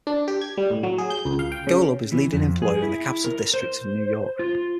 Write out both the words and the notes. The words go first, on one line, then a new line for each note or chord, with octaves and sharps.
Golub is leading employer in the Capital District of New York.
D4
G4
G#6
G3
A2
F#3
G#4
G6
C#2
F5
G5
C#3
E3
F2
G#4
E4
A#4
C5
F4